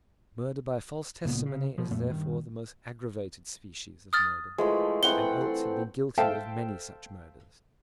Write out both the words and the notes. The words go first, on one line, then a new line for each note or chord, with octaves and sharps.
Murder by false testimony is therefore the most aggravated species of murder; and Oates had been guilty of many such murders.
C#2 A#2 B3
C#3
B2 F3
F2 A#2 A3
G2 D#3
D#6 F6 A6
E3 F3 G#3 A3
E3 C4 A4 F#5 G5 G7
A4 C6
A4 C5 E5 F5 G5 A5